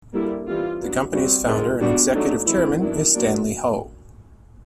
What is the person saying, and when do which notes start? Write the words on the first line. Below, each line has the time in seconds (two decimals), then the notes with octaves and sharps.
The company's founder and executive chairman is Stanley Ho.
0.14 D3 G3 A#3 E4
0.47 E3 G3 C4 F4
0.80 F#3 B3 D4
1.14 G3 C4 F#4
1.46 D#3 G#3 C4 F4
1.80 G3 B3 D4 F#4
2.14 F#3 A3 D4 D#4
2.46 E3 G#3 C4 E4
2.79 D#3 F#3 B3 D4 E4
3.14 F#3 A#3 D4